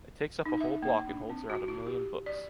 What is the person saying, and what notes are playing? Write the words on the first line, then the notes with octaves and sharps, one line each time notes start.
It takes up a whole block and holds around a million books.
D#4
E5
A#3
D4
C4
F#4
E4
G4
D5